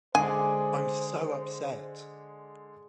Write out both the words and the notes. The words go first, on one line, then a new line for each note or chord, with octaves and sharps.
I'm so upset.
D3 G#3 G#4 C5 D5 G#5